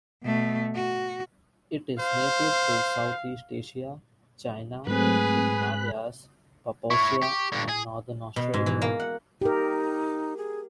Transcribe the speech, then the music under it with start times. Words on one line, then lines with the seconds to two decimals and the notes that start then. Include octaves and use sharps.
It is native to Southeast Asia, China, the Himalayas, Papuasia and northern Australia.
0.23 B2 A3
0.75 F#4
2.00 C5 F5
4.87 G#2 F#3 A3 C4 G#4 B4 B5 F#6
6.90 E4 C#5 C#6
7.22 G4
7.52 G2 D3
7.69 G#4
8.36 B2
8.54 G#2
8.66 E3
8.82 A#3
9.00 F#5
9.41 D#4 G4 A#4
10.37 G#4